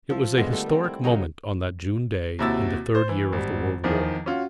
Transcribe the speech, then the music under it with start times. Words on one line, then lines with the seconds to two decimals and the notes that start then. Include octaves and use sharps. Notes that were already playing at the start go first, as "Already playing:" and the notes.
It was a historic moment, on that June day, in the third year of the World War.
0.10 F3 E5
0.37 D3 G#3 B3 F4
0.53 G3 A3 E5
0.66 D#3 C4
0.84 E4
1.04 C#3 F#3 C#4 D#4
2.39 D#2 C3 E4 F#4 E6 A6
2.95 C5
3.09 E3
3.33 G#1 G3
3.84 E2 D#3 F3
4.26 C#4 F4 F#4